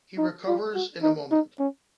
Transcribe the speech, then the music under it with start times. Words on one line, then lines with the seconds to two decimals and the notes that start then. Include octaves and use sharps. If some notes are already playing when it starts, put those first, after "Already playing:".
He recovers in a moment.
0.18 D#4
0.47 F4
0.75 F#4
1.03 D#4
1.31 D#4
1.59 C#4